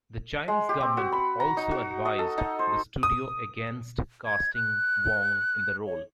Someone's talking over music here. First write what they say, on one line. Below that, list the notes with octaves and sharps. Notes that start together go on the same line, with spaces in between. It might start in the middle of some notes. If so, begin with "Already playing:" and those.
The Chinese government also advised the studio against casting Wong in the role.
G#3
G4
C4
F#4
B5
A#5
D#4
F#4
D#5
A4
D#4
C5
D#6
G#6
F#6
C#5